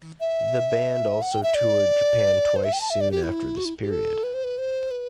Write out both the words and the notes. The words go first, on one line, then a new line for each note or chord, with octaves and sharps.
The band also toured Japan twice soon after this period.
E5
F#5
G5
E5
D5
C5
E5
G5
A5
E5
D5
G4
E4
F#4
E4
G4
A4
B4
C5
B4
C5
B4